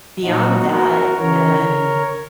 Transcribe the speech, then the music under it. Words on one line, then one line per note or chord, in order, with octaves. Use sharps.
beyond that, um,
A#2 F#3 D#4 F#4
F#4 A#4
C#3 E3 A#4 C#5